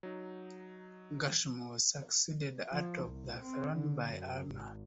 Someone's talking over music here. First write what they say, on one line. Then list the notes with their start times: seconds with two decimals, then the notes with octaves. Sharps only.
Gersem was succeeded atop the throne by Armah.
0.03 F#3 D#4
2.73 F3
3.05 C2
3.42 C4
3.74 D3
4.06 F#2
4.48 G#1